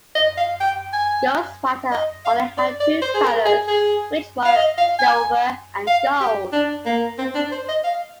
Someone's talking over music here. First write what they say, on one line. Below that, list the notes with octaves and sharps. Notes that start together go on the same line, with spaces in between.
Ghostwriter only had two colors, which were silver and gold.
D#5
F5
G5
G#5
D#5
F5
D5
D5
C5
G#4
A#4
G#4
G#4
F5
D#5
F5
G#5
F5
G4
D4
A#3
C4
D4
C5
D#5
F5